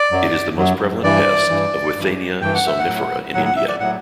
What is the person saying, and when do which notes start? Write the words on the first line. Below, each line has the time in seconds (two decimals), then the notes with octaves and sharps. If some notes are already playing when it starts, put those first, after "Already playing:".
It is the most prevalent pest of "Withania somnifera" in India.
Already playing: D5
0.12 F#2 F#3
0.57 F#2 F#3
1.03 G2 E3 D5
1.49 G2 E3
1.96 G2 E3
2.41 G2 E3 G5
2.55 F#5
2.67 E5
2.79 F#5
2.87 A2 F#3
3.34 A2 F#3 F#5
3.45 F#5
3.56 E5
3.68 D5
3.80 A2 F#3 F#5